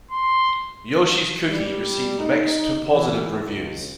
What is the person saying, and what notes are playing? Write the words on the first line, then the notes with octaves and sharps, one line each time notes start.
"Yoshi's Cookie" received mixed to positive reviews.
C6
G3
D#4
E3
C#2